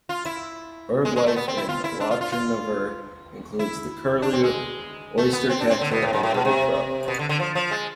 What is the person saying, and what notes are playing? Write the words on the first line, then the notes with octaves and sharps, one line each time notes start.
Birdlife in Lochinver includes the curlew, oystercatcher and hooded crow.
F4
E4
G#3
G#3
A3
B3
C4
E4
F4
E4
D4
F4
F4
F4
E4
D4
C4
G#3
A3
B3
C4
D4
C4
D3
B2
A2
G#2
A2
B2
C3
B2
D3
D3
F3
F3
G#3